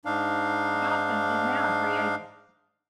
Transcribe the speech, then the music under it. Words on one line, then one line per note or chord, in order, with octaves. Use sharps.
Johnson is now a free agent.
G#2 D4 D#4 F5